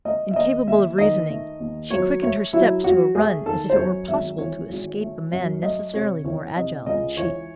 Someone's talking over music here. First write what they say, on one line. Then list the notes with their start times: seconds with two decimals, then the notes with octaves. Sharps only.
Incapable of reasoning, she quickened her steps to a run, as if it were possible to escape a man necessarily more agile than she.
0.05 A3 D#5
0.31 E5
0.36 D#2 D#5
0.67 D#2 E5
0.98 D#3 D#5
1.29 A3
1.60 D#2
1.90 F#3 C#5
2.22 A3 C#5
2.53 F#3 E4
2.84 F#3 F#4
3.15 A3 G#4
3.46 D#3 A4
3.70 C5
3.77 F#2 C#5
4.08 G#1 E5
4.38 E3 C#5
4.69 G#1
5.01 A3
5.32 F#2
5.62 A3 D#5
5.93 C3 C#5
6.25 E3 C#5
6.56 C3 D#5
6.86 C#2 D#5
7.17 E3 C#5